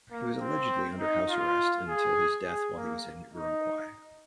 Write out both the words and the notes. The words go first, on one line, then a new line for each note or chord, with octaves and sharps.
He was allegedly under house arrest until his death while he was in Urumqi.
A#3
C4
D#4
F4
G#4
G#4
A#3
D#4